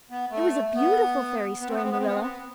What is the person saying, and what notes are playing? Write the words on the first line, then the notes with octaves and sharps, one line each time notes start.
It was a beautiful fairy story, Marilla.
B3
A3
B3
B3
C4
B3
C4
B3
C4
B3
C4
B3